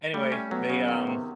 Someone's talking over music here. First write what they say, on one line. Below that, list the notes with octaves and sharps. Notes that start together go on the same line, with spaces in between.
anyway, they, um
G3 A3
C#4
F#3 B3
C#3
D#3
C3